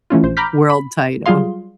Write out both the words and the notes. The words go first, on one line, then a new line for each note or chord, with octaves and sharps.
world title.
E3 A3 C#4 F4
A#1 C5
A#5 B5 D6 F6 G6 B6
B5
F#3 G3 F4 G#4 F5 C6